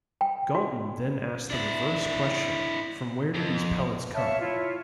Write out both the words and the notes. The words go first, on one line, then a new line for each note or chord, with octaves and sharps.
Galton then asked the reverse question from where did these pellets come?
G5
F#4
D4 E4
F2
C#5 E5 F5 A5
E4 F4 C#5